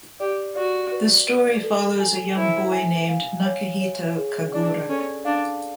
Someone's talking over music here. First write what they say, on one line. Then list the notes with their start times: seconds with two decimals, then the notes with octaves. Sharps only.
The story follows a young boy named Nakahito Kagura.
0.20 G4 D5
0.55 F#4 D5
0.92 B4
1.28 B4
1.63 A4
2.00 G#5
2.36 E4 C5
2.72 G#5
3.08 F5
3.45 C#5
3.81 C#5
4.17 G#4
4.53 D4 D5
4.89 C#4 A4
5.25 D4 F5